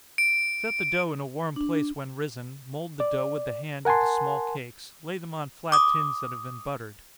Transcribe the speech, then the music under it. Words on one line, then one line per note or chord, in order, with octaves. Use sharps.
Set the dough in a warm place when risen, mould the dough with the hand into small cakes, lay them on flat tins that have been buttered.
D7
D4
D5
A#4 F#5 G#5 A5 C6
D6 D#6